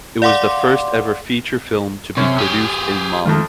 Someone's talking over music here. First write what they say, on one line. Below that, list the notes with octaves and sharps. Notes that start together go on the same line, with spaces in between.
It was the first ever feature film to be produced in Mali.
D5 F5 F#5 C6 D6
F#2 C3 C#4
G4 G#4
F2 D#3 G#3 A3 F4